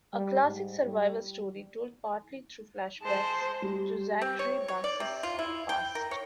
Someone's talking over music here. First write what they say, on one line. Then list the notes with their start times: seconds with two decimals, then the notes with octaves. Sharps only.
A classic survival story, told partly through flashbacks to Zachary Bass's past.
0.13 G3
0.44 G#2
0.82 G3
3.02 G#3 C5 A5
3.62 G3
4.21 C4
4.39 C#5
4.68 C#5
4.84 D5
5.00 C3
5.23 F4
5.39 E4
5.69 G5
5.95 A#4
6.11 C#5